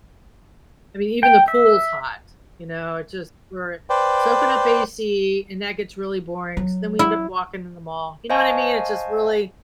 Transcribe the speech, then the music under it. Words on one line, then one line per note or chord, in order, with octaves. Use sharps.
I mean, even the pool's hot, you know, it just we're soaking up AC, and that gets really boring, so then we end up walking in the mall, you know what I mean, it's just really
G5
E5
B4 C5 D5 G5
F#3
E4
C5 D#5 F5 G#5 A5 C#6